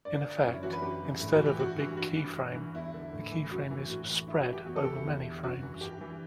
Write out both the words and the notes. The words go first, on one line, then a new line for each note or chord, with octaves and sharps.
In effect, instead of a big keyframe, the keyframe is "spread" over many frames.
G2 D5
D3
F#2 C#5
E4
E3 F#4
B4
F#2 G4
C#3 E3
A2 E4
F#4
E3
G4
G2 F#4
E3
G2 F#4
E3
G2
E3
E2 E4
D3
A2
E3
F#2 F#4
E3
A2 F#4
E3
G2 E4
F#4
E3
G4
E2 F#4
A4
B2 G4
E4
E2
D3
F#2 F#4
E3
G2 G4
E3